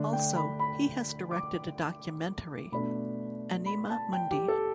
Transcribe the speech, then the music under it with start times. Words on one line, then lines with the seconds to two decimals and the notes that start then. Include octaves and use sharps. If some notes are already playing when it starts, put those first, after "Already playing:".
Also, he has directed a documentary "Anima Mundi".
Already playing: D3 A3 D4
0.13 G5
0.36 B5
0.59 B5
1.31 D6
2.72 B2 A3 D4 B5
3.66 B5
3.90 A5
4.13 G5
4.31 G4
4.48 A4